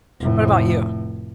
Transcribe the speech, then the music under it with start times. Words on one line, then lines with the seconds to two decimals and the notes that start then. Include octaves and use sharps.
what about you?
0.20 F1 A2